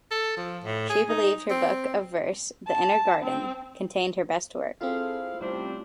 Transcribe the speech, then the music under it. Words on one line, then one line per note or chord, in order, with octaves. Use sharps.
She believed her book of verse, "The Inner Garden", contained her best work.
A4
F3
A2
G#4
D#4
C4
A5
C4
C4 E4 F4 G#4 A4 C5 F5
C3 G3 A3 C#4 D4 E4 C5